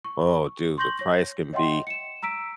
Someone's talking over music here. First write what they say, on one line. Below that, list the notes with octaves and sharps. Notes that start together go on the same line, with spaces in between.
Oh, dude, the price can be
C#6
C6 C#6 G6 A#6 F#7 G7
C#5 A#6
C#5 D#5 E5 F#5 G5 C6
C#7 E7
A#5 E6 B6 D7